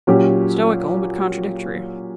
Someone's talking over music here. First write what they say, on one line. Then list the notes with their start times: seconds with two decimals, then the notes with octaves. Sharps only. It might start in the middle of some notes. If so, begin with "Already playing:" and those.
Stoical, but contradictory.
0.07 A#2 F#3 C#4 G4